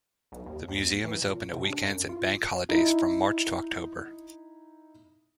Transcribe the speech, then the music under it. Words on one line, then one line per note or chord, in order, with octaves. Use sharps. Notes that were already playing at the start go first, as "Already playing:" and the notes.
The museum is open at weekends and Bank Holidays from March to October.
B1
D#2
D#2
E3
A#2
C3
D4
F#2
F4
D#4 E4